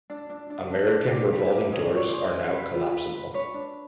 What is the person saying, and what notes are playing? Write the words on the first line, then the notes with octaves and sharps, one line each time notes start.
American revolving doors are now collapsible.
D4
D4
D4
D4
D4
G4
B4
G4
C#4 D#5
D5
F4 C#5
G#4 C5 D5
C#4
B4
F4
B4
B4
D4 B4 C#5
D4